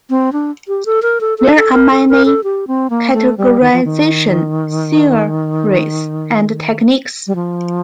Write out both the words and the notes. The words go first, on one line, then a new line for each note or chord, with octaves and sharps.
There are many categorization theories and techniques.
C4
D4
G4
A4
A#4
A4
A4
A4
A#4
A4
A#4
A4
G4
C4
A#3
A3
G3
D#3
F3
D#3
G3
F3